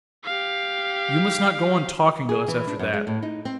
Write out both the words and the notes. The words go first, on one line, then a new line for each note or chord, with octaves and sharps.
You must not go on talking to us after that.
G4 F5
G#4
E3
D4
F#2
G#3
A2
D#4
C4